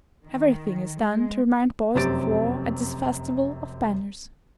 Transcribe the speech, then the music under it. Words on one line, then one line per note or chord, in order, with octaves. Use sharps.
Everything is done to remind boys of war at this Festival of Banners.
D#3
G#3
F1 F#2 C4 G4 A6 D7